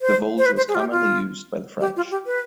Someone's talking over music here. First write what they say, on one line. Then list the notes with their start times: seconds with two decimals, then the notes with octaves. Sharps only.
The voulge was commonly used by the French.
0.01 C5
0.38 C5
0.46 B4
0.57 C5
0.68 G#4
0.75 F4
0.79 G4
0.91 F4
1.80 G4
1.96 F4
2.11 G4
2.26 B4